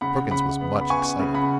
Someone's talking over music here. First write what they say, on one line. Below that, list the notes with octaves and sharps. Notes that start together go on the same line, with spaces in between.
Perkins was much excited.
C#3 F#5 B5
C#3 F#5 B5
B3
B5
B3 G#5 C#6
C#3
F#5 B5